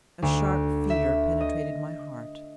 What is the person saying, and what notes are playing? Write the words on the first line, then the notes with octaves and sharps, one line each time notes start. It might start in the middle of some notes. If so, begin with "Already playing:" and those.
A sharp fear penetrated my heart.
D2
E5
D#5